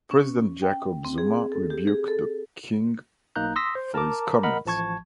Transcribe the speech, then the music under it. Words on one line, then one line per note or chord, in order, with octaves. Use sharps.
President Jacob Zuma rebuked the king for his comments.
C#4
G5
C4
G#4
A4
G4
G#4
A4
B1 A#3 D#4 A#5 F#6 G6
C6 D#6 E6 A#6 B6
C5
A#4 A5 A#5 D6
A#4 D#5 F#5 B5
A1 F3 A5 C#6 G#6